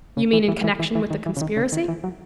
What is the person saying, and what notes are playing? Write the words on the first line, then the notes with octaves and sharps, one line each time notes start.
"You mean in connection with the conspiracy?"
C#3
E3
E3
E3
E3
E3
D#3
E3
C#3
D#3
C#3
D#3
E3
F#3